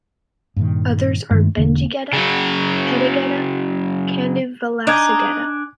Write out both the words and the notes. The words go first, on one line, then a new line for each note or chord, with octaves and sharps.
Others are Benjigedda, Peddagedda, Kandivalasa gedda.
G2 A#2 D#3
G2 D#3 G#3 A3
E1 D3 A#3
C#3 F#3
D4 D#4 D5 G#5